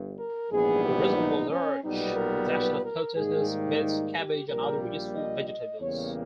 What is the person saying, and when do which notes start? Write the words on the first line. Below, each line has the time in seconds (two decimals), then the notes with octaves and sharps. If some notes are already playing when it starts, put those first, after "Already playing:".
The result was large production of potatoes, beets, cabbage and other useful vegetables.
Already playing: G1 G2
0.18 A#4
0.51 A#1 G#2 E3 G3 B3 G#4
0.84 G4
1.17 D#4
1.50 C#4
1.84 B1 A#2 G3 B3 D#4
2.17 A#4
2.50 B4
2.83 A#4
3.16 G#2 D#3 G3 A#3 G#4
3.49 D#4
4.15 G4
4.48 A#1 A#2 G3 A#4
5.15 D#5
5.48 D#5
5.81 E2 C#3 G3 A#3 C#5